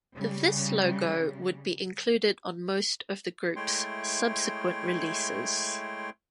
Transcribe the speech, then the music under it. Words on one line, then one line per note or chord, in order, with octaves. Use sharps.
This logo would be included on most of the group's subsequent releases.
C#3 G3
G#3 A3 E4 C#5 G5 C6